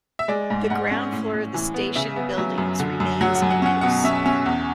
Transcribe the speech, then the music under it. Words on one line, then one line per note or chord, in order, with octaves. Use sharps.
The ground floor of the station buildings remains in use.
E5
G#3 D5
G#2
G#2 F#5
C#4
A2
A2
E3
B3
C#3 E5
B3
F#3
F#2
D3
F#2
F#3 F#5
F#5
F#2
F#5
C#4 F#5
B2 F#5
C#4 E5
C#4
E2